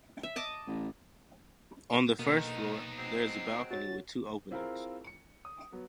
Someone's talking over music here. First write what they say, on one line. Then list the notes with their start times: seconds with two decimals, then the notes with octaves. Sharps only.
On the first floor, there is a balcony with two openings.
0.23 E5
0.36 D#5 A5 D6
0.67 A1
2.19 B2 D3 D#3 A#3 B3 D#4
2.98 F#3 G#3 C4 C7
3.71 F#4 C#5 A6
4.51 C4 E4 F4 G#4 A#4 C5
5.07 C#7
5.45 D#6
5.72 F#3 B3